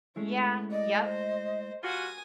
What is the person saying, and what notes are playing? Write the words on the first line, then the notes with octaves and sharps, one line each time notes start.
Yeah, yep.
G#3 A3 C#4 E4
D5 D#5
C5
G3 F4 F#4 G#5 D#6